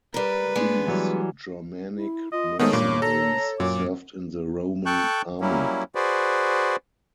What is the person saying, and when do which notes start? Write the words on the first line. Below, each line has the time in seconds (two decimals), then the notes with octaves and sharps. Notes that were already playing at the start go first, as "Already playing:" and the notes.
These Germanic mercenaries served in the Roman army.
0.14 G3 A#4 B4
0.55 G#3 B3 D4
0.86 E3 F#3 G3
1.95 E4
2.32 F4 D#5
2.59 D#3 G#3 A3 B3 C#5 D#6
2.73 G2 A#2 D6
3.02 A4 A#5
3.60 F#2 A#2 D6
4.86 A4 G5 A5 C#6 F#6 G6
5.41 F#3 G3 A#3 C#4 E4
5.95 F#4 G#4 B4 C5 D5